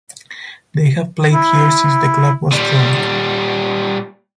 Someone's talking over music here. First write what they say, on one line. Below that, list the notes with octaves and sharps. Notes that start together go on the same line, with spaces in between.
They have played here since the club was formed.
E4
A#2 G3